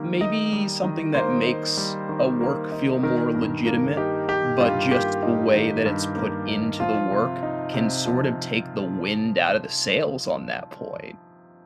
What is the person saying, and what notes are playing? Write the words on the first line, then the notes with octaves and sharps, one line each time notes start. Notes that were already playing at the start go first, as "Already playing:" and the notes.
maybe something that makes a work feel more legitimate, but just the way that it's put into the work can sort of take the wind out of the sails on that point
Already playing: D#3 G3 A#3
D#4 D#5
G3
D#3
A#3 C5
D#4
G3
D#3
A#3
D#4
D#3 A#4
G2
A#3
D#4 G4
D#3 G4
G2 F4
A#3 G4
D#4
D#3
G2
A#3
D#4
F3 F4
C3
D#4
C3
F3